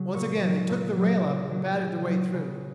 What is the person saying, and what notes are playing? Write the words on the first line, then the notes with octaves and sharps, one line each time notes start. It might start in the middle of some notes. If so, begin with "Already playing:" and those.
Once again they took the rail up and battered their way through.
Already playing: C#3 F#3
A#2 C#6
F#3
A#2
F#3
C#3 D6
F#3
C#3
F#3
C#3